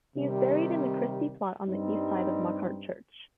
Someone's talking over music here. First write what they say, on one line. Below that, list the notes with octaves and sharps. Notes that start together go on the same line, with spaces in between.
He is buried in the Christie plot on the east side of Muckhart church.
C3 D#3 G3
G2 G3 C4 D#4